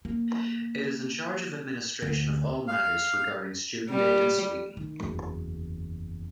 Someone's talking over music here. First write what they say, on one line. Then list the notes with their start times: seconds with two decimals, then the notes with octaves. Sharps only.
It is in charge of administration of all matters regarding student aid in Sweden.
0.05 A#3
2.02 D2
2.68 F5 F6
3.90 G3
4.77 D#3
5.00 F#1 E2